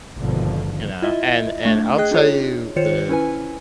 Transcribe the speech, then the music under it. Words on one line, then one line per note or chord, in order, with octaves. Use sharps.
you know, and and I'll tell you the
G#1 G2 B2 D3 D#3 F3
E4 F4 D#5 E5
A3 D4
G#4 D#5 G5 F#6
D4 D#4 F4 G#4 C#5
D#3 F4 C5 C#5 C#7
C#4 E4 B4 G#5